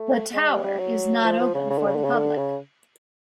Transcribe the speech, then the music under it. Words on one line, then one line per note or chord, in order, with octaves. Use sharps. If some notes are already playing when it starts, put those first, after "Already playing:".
The tower is not open for the public.
Already playing: A3
G#3
G3
G3
F#3
F3
F3
C#3
C#3
D3
C#3
D3
C#3
D3
C#3